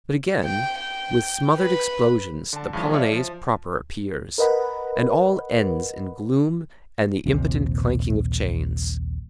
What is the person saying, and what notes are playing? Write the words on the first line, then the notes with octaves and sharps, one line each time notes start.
But again with smothered explosions the Polonaise proper appears, and all ends in gloom and the impotent clanking of chains.
G5
G5
B4
D3 A5
G2 A#2 C#3 E3 F3
C#5 D5 E5 F5 A5
F3
A#4 B4 D#5 F#5 B5
D#1 A#1 C3 F3